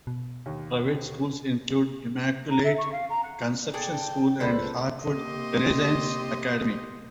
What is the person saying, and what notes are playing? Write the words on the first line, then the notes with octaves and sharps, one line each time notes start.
Private schools include Immaculate Conception School and Heartwood Renaissance Academy.
B2
D#2
A#5
E5
C#6
F5
A#5
F#5
G#4 A4 D5 G5
C#2 A4 B4 C5 D5
C3 A#3 G4 D#5 C6